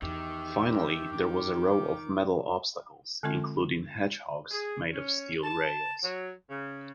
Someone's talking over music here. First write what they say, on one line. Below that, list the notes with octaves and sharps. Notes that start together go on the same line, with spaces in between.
Finally, there was a row of metal obstacles, including 'hedgehogs', made of steel rails.
E2 D#3 G4 E5
D6
D3 G#3 C4 F4
G#4
C#4
A5
F#3
C#3